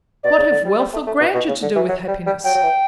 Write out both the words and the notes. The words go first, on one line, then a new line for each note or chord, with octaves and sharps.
"What have wealth or grandeur to do with happiness?"
B2 D5
C#3
D3
G3
G3
A3
A3
B2
B2
C#3
D3
E3
F#3
G3
G3
F#3 G5
F#3
E3